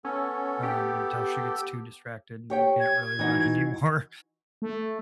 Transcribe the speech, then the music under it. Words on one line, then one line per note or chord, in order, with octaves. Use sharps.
um, until she gets too distracted and you can't really run anymore.
B3 C#4 A4
G4
G4 C#5 G5
G#6
E3 D#4 F#4
A3